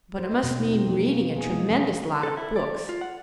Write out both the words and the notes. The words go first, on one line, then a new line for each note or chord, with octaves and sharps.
"But it must mean reading a tremendous lot of books."
C5
D#5
B2
D#4
C4
F3
A#3
B3
G#4
G#3
C4
A4
E4
D5
F4
F#5